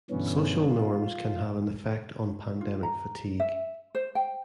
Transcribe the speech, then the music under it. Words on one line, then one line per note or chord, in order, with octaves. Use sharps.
Social norms can have an effect on pandemic fatigue.
G2 B2 D3 E3 B3 C#4
F4
F4
A#5
E5
C5
G5